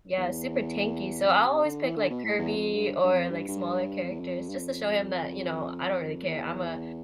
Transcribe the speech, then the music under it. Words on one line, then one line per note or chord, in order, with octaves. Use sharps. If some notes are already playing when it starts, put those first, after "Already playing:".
Yeah, super tanky, so I'll always pick, like, Kirby or, like, smaller characters just to show him that, you know, I don't really care. I'm a
E2
F2
C3
D3
E3
D3
B2
A2
E2
F2
G2
G2
F2
G2
G2
F2
E2
F2
G2
F2
E2